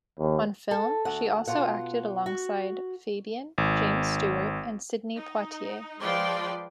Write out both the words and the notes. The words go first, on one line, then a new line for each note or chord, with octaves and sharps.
On film, she also acted alongside Fabian, James Stewart and Sidney Poitier.
D#2
A4
D2 F#5
B2 F4 F#5
F#4
G#1
D#4
F3 G#3 B4 D5 G5 C6